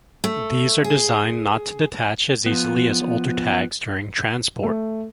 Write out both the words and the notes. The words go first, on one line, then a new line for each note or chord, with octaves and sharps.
These are designed not to detach as easily as older tags during transport.
A3
G#4
F3 B3
A3